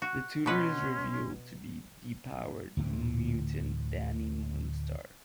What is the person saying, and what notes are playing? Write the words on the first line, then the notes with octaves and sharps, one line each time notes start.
The tutor is revealed to be depowered mutant Dani Moonstar.
F#4
B2 C#4 B4 F#5 C6
D2 A2 D3 E3